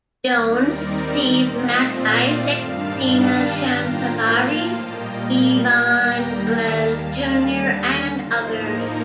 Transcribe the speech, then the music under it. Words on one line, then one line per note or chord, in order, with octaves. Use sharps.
Jones, Steve MacIsaac, Sina Shamsavari, Ivan Velez Junior and others.
D#2 D#3 G3 C4 D#4 A#4 D5
A#4 D5
A#2 A3 C4 F4 C5 D#5
D5 F5
G2 D#3 G3 D4 F5 A5
F5 A5
A2 F3 A#3 F4 G5 A#5
F5 A5
A#2 G3 A#3 D#5 G5
F5 A5
G5 A#5
D#2 D#3 G3 A#3 G5 A#5
F5 A5
D#2 D3 G3 F5 A5
A2 F3 A#3 D#4 C5
A#4